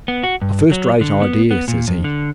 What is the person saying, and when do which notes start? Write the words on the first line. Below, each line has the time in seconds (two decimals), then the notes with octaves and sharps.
'A first-rate idea,' says he.
0.08 B3
0.23 F#4
0.42 G2
0.72 F#3
1.01 D3
1.22 B3
1.51 B3
1.68 A#2
1.88 F2
2.04 D3